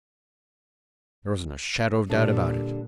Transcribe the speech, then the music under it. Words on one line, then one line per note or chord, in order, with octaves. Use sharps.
There wasn't a shadow of doubt about it.
A#2 D3 G3